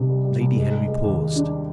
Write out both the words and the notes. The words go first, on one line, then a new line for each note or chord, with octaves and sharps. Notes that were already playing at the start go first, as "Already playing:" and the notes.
Lady Henry paused.
Already playing: C2 C3 D#3
G3
G3
C2
G#3
G#3
G#3
D#2
G#3
D4